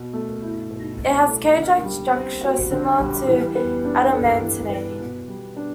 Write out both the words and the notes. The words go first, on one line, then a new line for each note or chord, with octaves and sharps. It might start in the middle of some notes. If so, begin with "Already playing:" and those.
It has a cage-like structure similar to adamantane.
Already playing: B2
A3
E4
B2
B2
A3
D3
G3
C4
F#4
D3
G3
E3
B3
D4
A4
E3
B3
B2
G3
D4